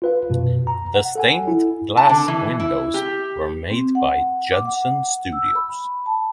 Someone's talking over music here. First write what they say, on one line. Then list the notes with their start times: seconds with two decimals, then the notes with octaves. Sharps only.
The stained glass windows were made by Judson Studios.
0.02 F4 B4 F5
0.30 F#2 B2
0.67 A#5
0.94 F#5
1.15 A4 F#5 G#5
1.48 E4
1.97 A5
2.09 D3
2.28 E3
2.60 E4
2.94 G4
3.71 C4
3.95 F#5
4.52 D6
4.65 F#5
5.33 E6
5.56 B5
6.06 A5